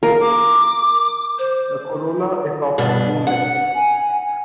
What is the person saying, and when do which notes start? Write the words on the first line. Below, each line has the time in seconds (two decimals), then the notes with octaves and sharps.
The corolla is often two-lipped.
0.03 A#4 F5
0.20 D6
1.39 C5
2.78 G2 B2 D4
3.27 F#5
3.74 G#5